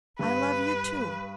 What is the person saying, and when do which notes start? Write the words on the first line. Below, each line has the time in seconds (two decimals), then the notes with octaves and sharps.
I love you too....
0.19 G2 B4